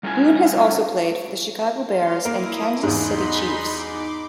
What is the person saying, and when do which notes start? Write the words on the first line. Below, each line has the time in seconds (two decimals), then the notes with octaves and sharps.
Boone has also played for the Chicago Bears and Kansas City Chiefs.
0.03 G3 A3 C#4 E4 F4 G#5
1.84 F5 C6
2.25 A#3 E4 A#4 D#6
2.83 E2 G#2 D#4 B5 C6
3.69 D6